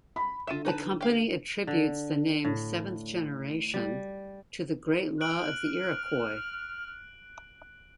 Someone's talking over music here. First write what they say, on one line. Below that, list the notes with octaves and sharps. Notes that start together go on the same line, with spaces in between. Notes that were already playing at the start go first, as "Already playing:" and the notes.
The company attributes the name "Seventh Generation" to the "Great Law of the Iroquois".
B5
D3 F4 E5 D#7 E7
D#4 B4 A5
G4 F5
D3
A2
G3
F6 F#6 D7 F#7